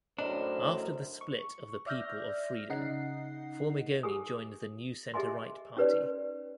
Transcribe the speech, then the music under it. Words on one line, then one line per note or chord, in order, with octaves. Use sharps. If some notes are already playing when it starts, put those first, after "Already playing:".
After the split of the People of Freedom, Formigoni joined the New Centre-Right party.
F#2 A2 D4 A#4 C5 D#5
C#6
D5 E5 F6 G6 A#6
C#3 D#4 D#5 F#5 C7
G4 G#4 G#5 D#6
G4 G#4 D#5 E5 G#5 C6
C#4 D#4 G4 B4 C#5 D5